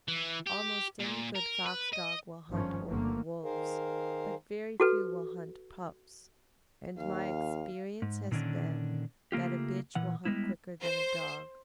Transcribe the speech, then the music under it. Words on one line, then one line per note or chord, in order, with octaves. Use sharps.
Almost any good fox dog will hunt old wolves, but very few will hunt pups, and my experience has been that a bitch will hunt quicker than a dog.
E3
G4
A#2
A#4
B4
D#5
G1 G#2 D#3 F3 C#4
G1 D3 A3 A#3
D#3 G#4 A#4 C5 F5
F#4 A4 B4
D#2 F5
G#2
A#2 D3 D#3 C#4 D4
C#3 A3 A#3 F4 G4
A#2 E3 F#5
G3 G#3 B3 E4
C5